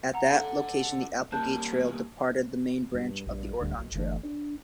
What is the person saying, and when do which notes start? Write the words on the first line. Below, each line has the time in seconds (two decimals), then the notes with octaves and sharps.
At that location the Applegate Trail departed the main branch of the Oregon Trail.
0.14 F#5 A#5
0.35 D4 A4 F#5
1.32 G3 A#3 A5 F#6 G6
2.95 G2
3.27 A#1 G2
3.59 D1 D2 G3
3.79 B1
3.94 G1 E3 A3 D4
4.23 D4